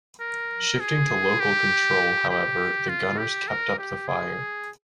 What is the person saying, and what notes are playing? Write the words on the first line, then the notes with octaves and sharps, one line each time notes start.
Shifting to local control, however, the gunners kept up the fire.
A#4
G#4
G4
G4
F4
G4
A#4
G4
G#4